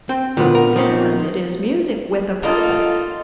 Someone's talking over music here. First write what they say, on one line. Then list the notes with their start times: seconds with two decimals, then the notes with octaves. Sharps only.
"Because it is music with a purpose."
0.09 C4 G5
0.37 D2 A#2 D3 E3 B3
0.55 A#4
0.76 F3 C4 C#4 D#4
2.43 A#3 D#4 F4 A4